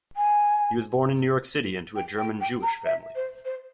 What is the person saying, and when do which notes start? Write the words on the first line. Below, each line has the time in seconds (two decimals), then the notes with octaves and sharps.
He was born in New York City into a German-Jewish family.
0.16 G#5
1.95 G5
2.18 G5
2.40 G5
2.62 A#5
2.85 E5
3.15 C5
3.45 C5